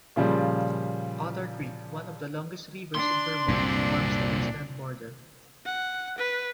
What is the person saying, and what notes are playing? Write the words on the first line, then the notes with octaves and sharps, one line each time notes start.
Otter Creek, one of the longest rivers in Vermont, forms the western border.
A#2 C#3 F3 G3
D4 C6
C2 F#2 A#2 C4
F#5
B4